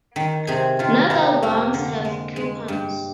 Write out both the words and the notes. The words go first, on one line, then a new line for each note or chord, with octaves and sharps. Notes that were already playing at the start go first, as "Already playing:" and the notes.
Not all bonds have coupons.
D#3
C3 G#4
D#3 F4
C3 D#4
F2 A#3
D3
G#3
G#3
G2